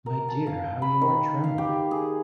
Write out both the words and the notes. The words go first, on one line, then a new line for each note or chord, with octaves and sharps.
My dear, how you are trembling!
A#4
A5
F5
B5
D#3
F5
G4
G#4